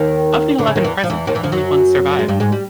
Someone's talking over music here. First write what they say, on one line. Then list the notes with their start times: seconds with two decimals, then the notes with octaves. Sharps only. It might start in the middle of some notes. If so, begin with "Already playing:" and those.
Of the eleven present, only one survived.
Already playing: D#2 D#3
0.58 D2 D3
0.67 C#3
0.76 D#2 D#3
0.84 E2 E3
1.04 F3
1.10 E2 E3
1.27 D#2 D#3
1.35 E2 E3
1.43 F2 F3
1.52 F#2 F#3
2.19 G#3
2.28 G2 G3
2.40 G#2 G#3
2.52 G3